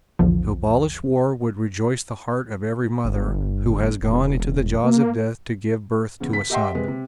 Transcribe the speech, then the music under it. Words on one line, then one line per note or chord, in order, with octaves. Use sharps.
To abolish war would rejoice the heart of every mother who has gone into the jaws of death to give birth to a son.
A#1 E2 D3 F3
G1
E1
A#3
E2 C#3
B6
G4 D#5 E5 F#5 G5 C6
C3 G#3 B4
C3